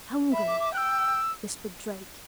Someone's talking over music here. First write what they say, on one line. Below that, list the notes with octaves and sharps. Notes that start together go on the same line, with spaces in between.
"Hungry!" whispered Drake.
E5 B5
D6
D6
G5 E6 F#6